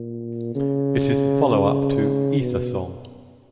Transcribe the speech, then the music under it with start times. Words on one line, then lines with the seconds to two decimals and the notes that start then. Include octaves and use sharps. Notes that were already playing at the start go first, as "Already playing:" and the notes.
It is the follow-up to "Ether Song".
Already playing: A#2
0.55 C#3
1.47 C#3
2.40 B2